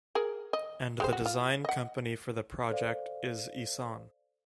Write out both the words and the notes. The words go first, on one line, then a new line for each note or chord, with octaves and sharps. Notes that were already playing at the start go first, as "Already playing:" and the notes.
And the design company for the project is Isan.
G#4 A#4
D#5
G#3 G4 C5
F#4
F4
D#5 F#5
A4 C5 D5 F5